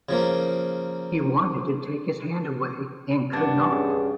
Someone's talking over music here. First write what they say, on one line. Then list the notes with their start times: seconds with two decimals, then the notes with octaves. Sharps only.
He wanted to take his hand away, and could not.
0.09 C#3 F3 A#3
3.33 G2 B3 D4
3.71 C#4 G#4